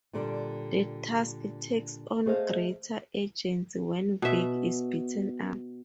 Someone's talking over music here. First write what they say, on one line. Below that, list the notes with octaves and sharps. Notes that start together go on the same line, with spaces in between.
The task takes on greater urgency when Vic is beaten up.
A#2 D3 G3 D4
A3 G#4 C5 D#5 F5
B2 E5